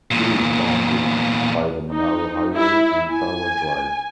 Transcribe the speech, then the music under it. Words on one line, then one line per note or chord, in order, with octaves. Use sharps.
It is bounded by the Monaro Highway and Tharwa drive.
E2 A#2
D#4
E4
G#5